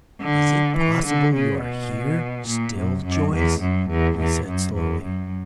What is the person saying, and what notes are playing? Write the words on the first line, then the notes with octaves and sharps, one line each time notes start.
"Is it possible you are here still, Joyce?" he said slowly.
D3
E3
D3
C#3
B2
A#2
F#2
F#2
E2
F#2
E2
E2
F#2
E2
F#2